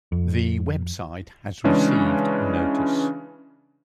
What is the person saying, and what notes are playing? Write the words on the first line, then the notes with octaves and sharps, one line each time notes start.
The web site has received notice.
F2
C#3 E3 G#3 C#4 D4